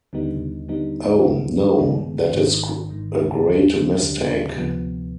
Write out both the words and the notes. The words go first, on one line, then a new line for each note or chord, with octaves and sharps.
Oh, no; that is a great mistake.
D#2 D3 G3 B3 D#4
D#2 D3 G3 B3 D#4
G1 G2 D#3 G#3 B3
G1 G2 D#3 G#3 B3
G#1 G#2 D#3
G#1 G#2 D#3
D#2 D3 G3
D#2 D3 G3
D2 C3 F3 B3